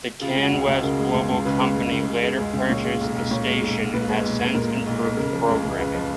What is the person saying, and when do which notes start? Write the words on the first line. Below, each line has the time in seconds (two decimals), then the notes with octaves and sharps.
The CanWest Global company later purchased the station and has since improved programming.
0.21 C#3 F4
0.37 G#3
0.42 F#4
0.52 C#2
0.63 G#4
0.68 C#2
0.83 C#3 A#4
0.99 G#3
1.14 C#2
1.30 C#2
1.45 C#3 B4
1.60 G#3
1.77 C#2
1.92 C#2
2.07 C#3
2.23 G#3
2.39 C#2
2.54 C#2
2.70 A#2 C#5
2.85 G#3
3.01 B1
3.16 B1
3.31 A#2 C#5
3.47 G#3
3.62 B1
3.78 B1
3.94 A#2 B4
4.09 G#3
4.24 B1
4.39 B1
4.55 A#2 A#4
4.71 G#3
4.86 B1
5.02 B1
5.17 C#3 A#4
5.33 F3
5.49 C#2
5.63 C#2
5.79 C#3 B4
5.94 F3